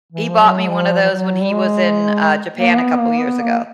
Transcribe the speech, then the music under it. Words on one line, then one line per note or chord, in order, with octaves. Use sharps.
He bought me one of those when he was in, uh, Japan a couple years ago
E3
F3
F#3
F3
F3
F#3
G3
G#3
A#3
B3
A#3
B3
A#3